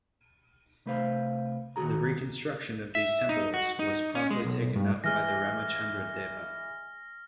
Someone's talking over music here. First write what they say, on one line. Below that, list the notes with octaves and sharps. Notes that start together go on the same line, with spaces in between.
The reconstruction of these temples was promptly taken up by Ramachandra Deva.
C3 A3 B4 C5 F5
D#2 A#2 F#4 G#4 A#5
E5
D#4
F#4
D#4
C#4
G#3
B1
G2
E3 G#3 F6 A#6